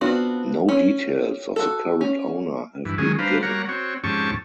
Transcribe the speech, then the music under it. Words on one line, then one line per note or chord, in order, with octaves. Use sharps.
No details of the current owner have been given.
B3 C4 D4 F4 F#4
C#4
F#4 A4
C#4
G2 E3
D#3 F#3 G#3 C#4 G#4
G3 D4 B4 C5 F5 A#5
G3 A#3 F#4 C#5 F#5 A#5
C4 F#4 C#5
F2 G#2 C#4 G4 A5 C#6